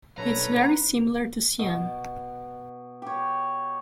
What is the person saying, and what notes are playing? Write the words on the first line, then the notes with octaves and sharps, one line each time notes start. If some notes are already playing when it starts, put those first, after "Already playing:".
It is very similar to cyan.
B1 G2 A4 B4 C#5 A#5
B2
G4 C#5